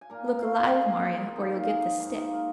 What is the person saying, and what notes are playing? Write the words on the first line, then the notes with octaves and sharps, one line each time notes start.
"Look alive, Marya, or you'll get the stick!"
G#5
A#2 A#3 A#4 A#5
A#4 A#5
F4 F5
F4 F5
A#2 A#3 G#4 G#5
A#4 A#5
G#4 G#5
G#2 D#3 A#3 D#4 D#5
F4 F5
G#4 G#5
G#2 D#3 A#3
D#4 D#5
A#3 A#4